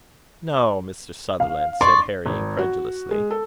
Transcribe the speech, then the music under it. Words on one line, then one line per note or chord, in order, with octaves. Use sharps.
"No, Mr. Sutherland!" said Harry, incredulously.
F5
D5 C6 C#6
G#1
F#4
G#3
A4